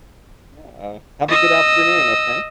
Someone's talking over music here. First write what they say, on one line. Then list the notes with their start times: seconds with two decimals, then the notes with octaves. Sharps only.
Yeah, have a good afternoon, okay?
1.28 D#5 E6